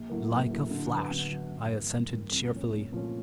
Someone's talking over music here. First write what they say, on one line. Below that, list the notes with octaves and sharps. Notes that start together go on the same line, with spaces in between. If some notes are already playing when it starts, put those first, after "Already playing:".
"Like a flash," I assented cheerfully.
Already playing: A#1
A2 F#3 A#3
A#1
A2 F#3 A#3
D3
F#3 B3
D3
F#3 B3
G2
E3 G3 A#3
G2
E3 G3 A#3
C2
A#2 F3 A3 C#4
C2
A#2 F3 A3 C#4